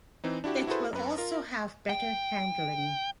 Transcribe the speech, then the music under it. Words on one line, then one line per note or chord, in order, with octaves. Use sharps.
It will also have better handling.
E3 C4 D#4
D4 E4 F#4 G4
E4 F#4 G#4 A4 B4 C5
F#2 B4
F4 A#4
G5